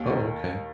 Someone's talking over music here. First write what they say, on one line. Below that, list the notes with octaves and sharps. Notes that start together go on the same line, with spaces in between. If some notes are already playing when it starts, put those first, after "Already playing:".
Oh, okay.
Already playing: D#2
D#3